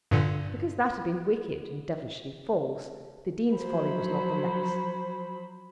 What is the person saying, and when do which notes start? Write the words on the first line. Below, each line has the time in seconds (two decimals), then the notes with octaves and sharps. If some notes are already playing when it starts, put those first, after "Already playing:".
Because that had been wicked and devilishly false, the Dean's folly was not the less.
0.11 G2 A#2 D3
3.55 F3 F#3 C5 B5